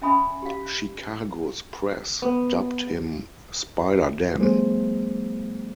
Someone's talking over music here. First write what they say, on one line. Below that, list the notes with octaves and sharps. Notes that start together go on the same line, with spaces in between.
Chicago's press dubbed him "SpiderDan".
C#4 E5 G#5 B5 D#6
G4 F5
B3
F3 G3 A3 B3 G#4 C5